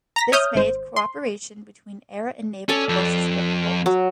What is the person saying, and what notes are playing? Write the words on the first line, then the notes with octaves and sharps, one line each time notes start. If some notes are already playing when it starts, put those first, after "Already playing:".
This made cooperation between air and naval forces difficult.
A#5 A#6 B6
C#5 E5 D#6 F6 G6
G#1 C5
C6
C#4 A4 D5
F2
F#3